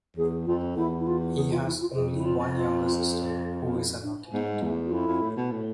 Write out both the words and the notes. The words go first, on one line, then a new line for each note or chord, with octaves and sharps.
He has only one younger sister who is an architect.
E2 G#4
F2 F4
E2 E4
E4
F4
G#4
F4
E4
F4
F2 G#4
E4
F4
F4
E4
D4
G#2 B3
G#3
E2 A3
F4
F2 E4
F2
A2
B2
A2